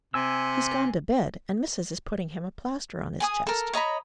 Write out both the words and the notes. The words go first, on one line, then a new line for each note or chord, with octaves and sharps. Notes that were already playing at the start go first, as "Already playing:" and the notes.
"He's gone to bed, and missis is putting him a plaster on his chest."
C3 G#5 E6
G#4 G#5 D#6
A4 A#4
C#5 D#5 A#5 B5